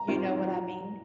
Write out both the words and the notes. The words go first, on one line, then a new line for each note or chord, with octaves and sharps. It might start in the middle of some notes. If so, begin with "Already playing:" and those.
You know what I mean?
Already playing: A#5
G#1 G#2 G3 C4 F4